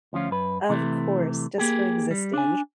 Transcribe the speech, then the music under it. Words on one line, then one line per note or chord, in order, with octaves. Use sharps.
Of course, just for existing.
D2 F3 C#4 F4
F#2 B4
C3 E3 A3
A#3 G4 G#4
G3
D4 G#5